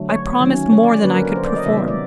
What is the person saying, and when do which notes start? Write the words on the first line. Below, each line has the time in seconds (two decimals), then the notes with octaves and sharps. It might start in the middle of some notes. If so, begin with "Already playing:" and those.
I promised more than I could perform.
Already playing: D3 F#3 A3
0.09 C#5
0.40 D#3 F#3 A3 C#4
0.73 C#5
0.83 D5
1.04 D3 F#3 A#3 C#4 B4
1.14 A#4
1.25 A#4
1.36 C5
1.46 D5
1.56 D#5
1.66 C3 D#3 F#3 B3 E5
1.77 D#5
1.88 D5